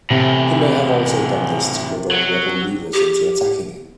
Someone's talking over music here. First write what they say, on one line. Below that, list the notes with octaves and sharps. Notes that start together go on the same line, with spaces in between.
He may have also done this to provoke rebel leaders into attacking him.
E2 A2 C3
F#3
G4